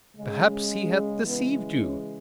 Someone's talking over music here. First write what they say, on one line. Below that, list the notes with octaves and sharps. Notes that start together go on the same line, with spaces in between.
Perhaps he hath deceived you.
C#3 G#3
C#3 E3 G#3 B3
C#4